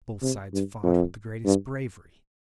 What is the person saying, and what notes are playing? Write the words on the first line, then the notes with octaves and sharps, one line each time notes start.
Both sides fought with the greatest bravery.
C3
G2
F2
G2